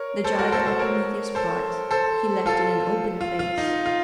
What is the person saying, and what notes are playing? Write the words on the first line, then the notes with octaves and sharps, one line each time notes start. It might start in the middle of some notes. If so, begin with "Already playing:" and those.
The jar that Epimetheus brought he left in an open place.
Already playing: A#4 C#5
A4 C5
F#4 A#4
A4 C5
A4 C5
A#4 C#5
A4 C5
A4 C5
F4 A4
F4
F4
D#4
F4